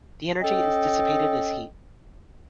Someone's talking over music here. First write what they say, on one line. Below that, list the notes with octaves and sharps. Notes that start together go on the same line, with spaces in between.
The energy is dissipated as heat.
C#4 A4 D#5 G5